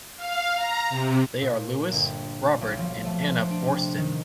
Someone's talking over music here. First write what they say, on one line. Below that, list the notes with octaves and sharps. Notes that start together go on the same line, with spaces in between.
They are Louis, Robert and Anna Boorstin.
F5
A#5
C3
A#2
G1
B1
F3
A3
C5
D4
C3
D#3